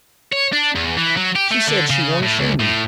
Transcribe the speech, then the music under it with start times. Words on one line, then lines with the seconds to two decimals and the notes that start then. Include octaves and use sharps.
She said she warn't ashamed of me.
0.33 C#5
0.53 D4
0.76 E2
0.97 E3
1.17 F#3
1.35 G4
1.51 A3
1.67 D3
1.90 C#3
2.22 A2
2.39 C#2
2.60 A2